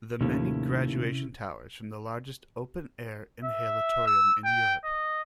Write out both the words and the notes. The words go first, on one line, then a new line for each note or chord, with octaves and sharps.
The many graduation towers form the largest open air inhalatorium in Europe.
D#2 A2 C3 F3 C#4 E4
E5
E6
G5
D#5